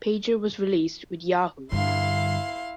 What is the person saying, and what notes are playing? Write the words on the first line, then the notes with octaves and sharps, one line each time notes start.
Pager was released, with Yahoo!
G2 D3 E4 F5 C6